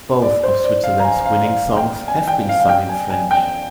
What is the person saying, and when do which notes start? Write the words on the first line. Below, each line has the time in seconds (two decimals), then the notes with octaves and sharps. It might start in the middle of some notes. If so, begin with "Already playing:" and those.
Both of Switzerland's winning songs have been sung in French.
0.22 D5
0.43 C5
0.64 D5
0.84 F5
1.00 A#5
1.05 G#5
1.26 F5
1.46 F5
1.77 G5
2.08 G#5
2.27 G5
2.49 F5
2.60 F5
2.69 G5
2.89 G#5
3.10 G#5
3.31 G5